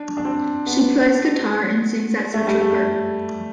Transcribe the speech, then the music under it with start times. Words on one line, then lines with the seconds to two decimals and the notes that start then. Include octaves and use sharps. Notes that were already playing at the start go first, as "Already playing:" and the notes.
She plays guitar and sings at Central Perk.
Already playing: D4
0.17 D4
0.25 C4
0.66 B3
2.34 A3
2.47 G3
2.61 A3